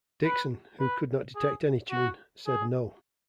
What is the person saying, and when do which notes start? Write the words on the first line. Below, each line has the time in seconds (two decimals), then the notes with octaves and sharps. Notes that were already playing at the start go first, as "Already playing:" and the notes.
Dickson, who could not detect any tune, said no.
0.24 B4
0.80 B4
1.36 G#4
1.91 F#4
2.47 G#4